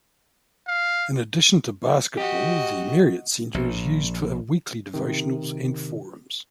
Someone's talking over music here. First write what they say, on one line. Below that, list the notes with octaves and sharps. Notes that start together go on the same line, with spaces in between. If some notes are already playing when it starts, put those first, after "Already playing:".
In addition to basketball, the Marriott Center is used for weekly devotionals and forums.
F5
F#4 G4 D#5
A#1
C3 D#3